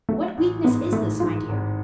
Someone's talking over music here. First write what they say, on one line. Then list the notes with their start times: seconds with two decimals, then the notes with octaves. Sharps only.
What weakness is this, my dear!
0.09 F#3 A3
0.37 A1
0.65 G#2 B3
0.92 A1 A3
1.20 G#2 F4
1.49 G#1